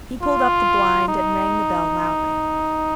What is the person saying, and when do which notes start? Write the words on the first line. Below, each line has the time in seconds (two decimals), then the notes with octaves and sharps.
He pulled up the blind and rang the bell loudly.
0.22 F4
1.09 D#4